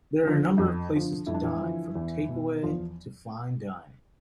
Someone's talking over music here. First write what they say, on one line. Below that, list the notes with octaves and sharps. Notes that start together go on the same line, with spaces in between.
There are a number of places to dine, from Takeaway to fine dining.
D3 F3
F2
D3 F3
F2 E4
D4
E3 E4
D3 F3
E2
B2
E2 F3 F4